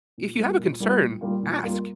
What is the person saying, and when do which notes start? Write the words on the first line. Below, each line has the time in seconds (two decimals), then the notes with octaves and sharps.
"If you have a concern, ask.
0.18 A#2
0.39 G3 A#3 F4
0.59 A#2
0.80 G3 A#3 F4
1.01 A#2
1.21 G3 A#3 F4
1.43 A#2
1.63 G3 A#3 F4